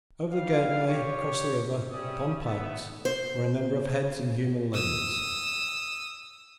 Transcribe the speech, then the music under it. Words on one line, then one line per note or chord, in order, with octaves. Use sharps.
Over the gateway across the river, upon pikes, were a number of heads and human limbs.
G3 F5
G4 C#5
G3 C#4 G4 D5 E5 D#6
A3 B3 E5
C5
D#6 E6